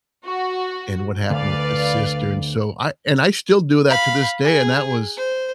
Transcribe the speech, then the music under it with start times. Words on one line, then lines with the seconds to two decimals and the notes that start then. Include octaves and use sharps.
and what happened with his sister, and so, I and I still do that to this day, and that was
0.25 F#4
1.30 D2 B4 D5 F5
3.89 F5 B5
4.44 G#4
5.17 C5